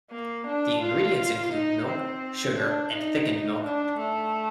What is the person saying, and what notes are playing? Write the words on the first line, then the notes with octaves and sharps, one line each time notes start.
The ingredients include milk, sugar and thickened milk.
A#3
D4
F4
D#4
C4
D4
D#4
D4
A3